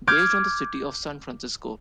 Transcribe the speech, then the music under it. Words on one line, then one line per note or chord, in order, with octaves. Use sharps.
Based on the city of San Francisco.
D6 F6 G6 G#6